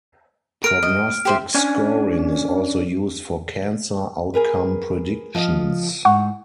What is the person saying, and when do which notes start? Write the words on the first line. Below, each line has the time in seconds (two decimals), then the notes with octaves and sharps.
Prognostic scoring is also used for cancer outcome predictions.
0.64 A#4 F6 D7
0.83 D#5
1.25 G4 C5 E5
1.54 C#4 D4 G#5
4.34 G#4 A#4 B4
5.35 F3 D#5 F5
6.05 G#2 F#5 C#6